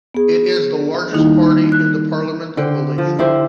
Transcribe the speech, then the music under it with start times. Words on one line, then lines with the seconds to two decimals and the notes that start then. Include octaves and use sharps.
It is the largest party in the Parliament of Malaysia.
0.14 B3 G#4
1.13 D#3 G3 A#3 D#4 E4
1.72 F#6
2.57 D3 C5 G5
2.98 F3
3.18 D3 E4 G4 C5